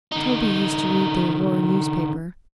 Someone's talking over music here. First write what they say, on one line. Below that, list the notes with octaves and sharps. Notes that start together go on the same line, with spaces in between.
Toby used to read the Aurora newspaper.
D3 D#4